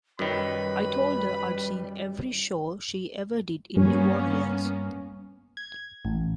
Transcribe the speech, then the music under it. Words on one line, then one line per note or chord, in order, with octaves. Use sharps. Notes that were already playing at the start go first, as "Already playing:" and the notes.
I told her I'd seen every show she ever did in New Orleans.
F#2 D#3 G3 B4 B5
G2 A#3 B3 C#4
G#6
A1